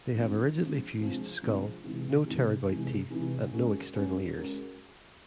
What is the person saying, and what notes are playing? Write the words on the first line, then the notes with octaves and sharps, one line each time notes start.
They have a rigidly fused skull, no pterygoid teeth, and no external ears.
D3 F3 G#3 C4
D3 F3 G#3 C4
D3 F3 G#3 C4
D3 F3 G#3 C4
C3 E3 G#3
C3 E3 G#3
C3 E3 G#3
C3 E3 G#3
G#3 C#4 F#4 A#4
G#3 C#4 F#4 A#4
G#3 C#4 F#4 A#4